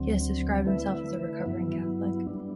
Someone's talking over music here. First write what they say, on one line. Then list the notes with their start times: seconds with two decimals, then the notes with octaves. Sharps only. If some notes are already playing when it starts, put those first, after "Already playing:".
He has described himself as a recovering Catholic.
Already playing: D2 D3 F#3 C4
0.64 D3 A3 E4 B4 E5
1.46 G2 F#3 B3 E4
2.27 G3 B3 D4